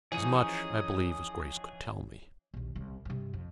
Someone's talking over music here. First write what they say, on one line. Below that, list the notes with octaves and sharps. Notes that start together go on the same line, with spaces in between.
"As much, I believe, as Grace could tell me."
E3 F3 C#4 D#4 G#4 D#6 D#7
A#1 D#2
C2 C#3
G2 C3
F2